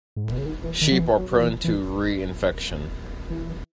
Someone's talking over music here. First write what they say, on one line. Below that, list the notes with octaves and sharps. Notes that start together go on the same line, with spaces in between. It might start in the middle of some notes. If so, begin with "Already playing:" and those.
Sheep are prone to reinfection.
G#2
A2
B2
C#3
D#3
E3
D#3
F#3
E3
F#3
F#3
E3
E3
E3